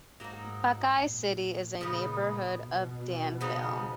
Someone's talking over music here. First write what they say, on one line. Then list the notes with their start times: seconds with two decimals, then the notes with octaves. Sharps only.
Buckeye City is a neighborhood of Danville.
0.20 G#2 F#3 A#3 D#4
1.00 A#2
1.81 A#2 C#3 G#3 B3 D#4
2.61 B2
3.41 C#3 F3 B3 D#4